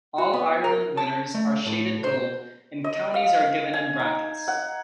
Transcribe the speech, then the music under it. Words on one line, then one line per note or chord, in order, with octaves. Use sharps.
All-Ireland winners are shaded gold, and counties are given in brackets.
F#4
B3
A#4
A5
A3
A2
C5
D#5
F5
G#5
D#4
F#5